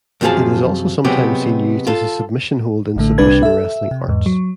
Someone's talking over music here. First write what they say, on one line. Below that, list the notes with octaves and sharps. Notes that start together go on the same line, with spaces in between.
It is also sometimes seen used as a submission hold in submission wrestling arts.
F#2 C3 F3 F4 G#4 A5
C3 F#3 G#3 B3 G4
F4 A4
A1 A2 D3 A3
C2 C3 G3 D4 B4 G#6
A4 E5
C3
E2 G#2
F#3